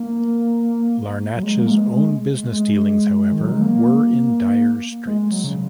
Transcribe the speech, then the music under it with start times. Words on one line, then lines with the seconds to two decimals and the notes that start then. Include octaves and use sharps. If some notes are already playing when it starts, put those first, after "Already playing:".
Larnach's own business dealings, however, were in dire straits.
Already playing: A#3
1.37 F#3
1.43 G#3
1.59 A#3
1.67 G#3
1.91 G#3
2.52 G#3
3.32 D#3
3.41 F#3
3.52 G#3
3.61 A#3
5.07 G#3
5.31 F#3
5.44 C#3